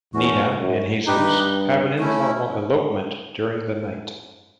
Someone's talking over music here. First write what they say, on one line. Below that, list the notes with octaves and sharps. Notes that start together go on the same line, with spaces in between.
Nina and Jesus have an informal elopement during the night.
E2 A3 C#4 F#4
F#2
G2 D#4 G4 B4
A3 C#4 E4